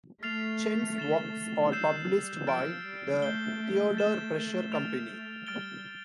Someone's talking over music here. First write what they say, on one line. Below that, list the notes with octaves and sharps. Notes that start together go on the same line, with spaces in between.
Chen's works are published by the Theodore Presser Company.
A3 F6 A6 C7 F7
A6 E7 G7
G3 E6 G6 C7 E7
G3
F3 F6 A6 D7
G3
A3 G6 C7 G7
A6 E7 G7
F6 A6 D7 F7
G3 F6 A6 D7 G7